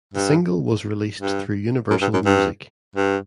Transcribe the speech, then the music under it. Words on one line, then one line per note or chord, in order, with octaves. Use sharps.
The single was released through Universal Music.
G2
G2
F#2
G2
F#2
G2
G2